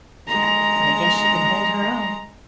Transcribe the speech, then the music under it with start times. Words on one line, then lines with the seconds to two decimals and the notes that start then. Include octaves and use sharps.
But I guess she can hold her own.
0.28 G#3 A#5